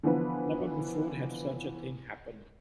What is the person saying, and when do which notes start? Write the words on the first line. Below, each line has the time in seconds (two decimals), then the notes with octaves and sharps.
Never before had such a thing happened.
0.03 D3 E3 F3 B3 B4